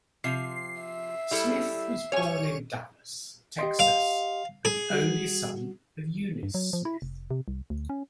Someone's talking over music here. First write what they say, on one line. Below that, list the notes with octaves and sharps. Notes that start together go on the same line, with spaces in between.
Smith was born in Dallas, Texas and the only son of Eunice Smith.
C3 F3 C7
E5
G3 E4 A4
G3 C#5 G#5 C#6
G4 D#5 C6
F5
G#4
G3 F#4
G2
F#3
F3
E4
F1
C3
C2
D2
C#4